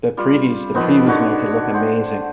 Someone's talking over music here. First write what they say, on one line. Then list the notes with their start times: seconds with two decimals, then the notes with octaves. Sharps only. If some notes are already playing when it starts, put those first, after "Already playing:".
the previews the previews, man, it can look amazing.
0.17 G3 F4
0.75 D#3 F3 B3 C4 C5
1.06 D3 D#4 F#4 C#5
1.74 C5 F#5 G5